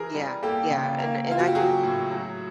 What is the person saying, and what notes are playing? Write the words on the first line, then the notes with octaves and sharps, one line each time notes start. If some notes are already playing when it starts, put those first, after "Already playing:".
Yeah, yeah, and and I can
Already playing: E3 G#4 A#4
G3
A#3 G4 A4
C#3
A#3
A#3 F4
F#4
G4
F#3 F#4 G#4
A2
F#3